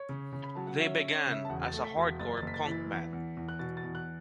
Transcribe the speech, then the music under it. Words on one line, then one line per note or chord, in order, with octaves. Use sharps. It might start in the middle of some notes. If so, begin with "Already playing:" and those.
They began as a hardcore punk band.
Already playing: C#5
C#3
C#3
B5
F#3 A5
F#5
C#4 E5
E5
C#4
C#5
C#3
E5
A5
E1 F#5
A6
A3
B6
E1
B6
F#1 A6
A6
F#1 B6
A6
E3 B6
A6
E2
E2
E2
F#6
B2 A6
A6
E2
F#6